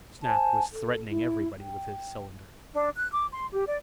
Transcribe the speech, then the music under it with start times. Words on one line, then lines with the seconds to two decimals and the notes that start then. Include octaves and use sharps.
Snap was threatening everybody with his cylinder.
0.23 C5 G#5 A5
0.72 A4
1.09 E4
1.58 G5
2.73 D4
2.95 F#6
3.11 D6
3.32 C6
3.52 G4
3.66 D5